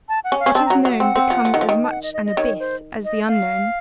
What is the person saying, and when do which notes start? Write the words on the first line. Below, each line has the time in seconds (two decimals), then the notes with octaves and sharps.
What is known becomes as much an abyss as the unknown.
0.09 A5
0.24 F#5
0.32 C#4
0.40 F5
0.46 C#4
0.54 C4 A5
0.66 A#5
0.70 F#3
0.85 F#3 F#5
1.00 C4 F#5
1.16 C4
1.30 F3
1.45 F3
1.54 D#3
1.61 F3
1.69 D#3
1.84 A5
1.91 F#5
2.03 D#5
2.14 D#5
2.26 D#5
2.37 D#3 C#5
2.60 C5
3.04 D#5
3.28 F5